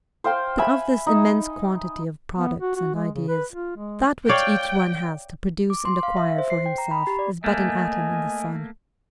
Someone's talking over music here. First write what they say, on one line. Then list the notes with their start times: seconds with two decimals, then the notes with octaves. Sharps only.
But of this immense quantity of products and ideas, that which each one has to produce and acquire for himself is but an atom in the sun.
0.24 C5 F5 G5 C6
0.58 E5 G#5 B5
1.07 D#4
2.37 B3
2.60 F#4
2.76 F#4
2.95 G#3
3.15 C#3
3.29 B4
3.53 F4
3.77 G#3
4.29 C#5 D5 F5 G5
5.70 D6
5.85 C6
6.03 F5
6.17 E5
6.38 C5
6.50 C7
6.66 G5
6.78 A#5
6.91 B5
7.07 G4
7.19 D5
7.44 A3 A#3 D#5 G#5